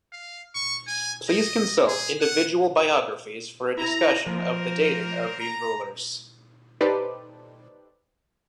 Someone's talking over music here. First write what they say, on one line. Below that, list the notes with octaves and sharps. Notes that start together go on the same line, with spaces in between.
Please consult individual biographies for a discussion of the dating of these rulers.
F5
C#6
G#5
D#5
G#4
F#5
E4 A#5
F3 A#3 C4 A#4
A#5
D#4 G4 A4 B4 C5 D5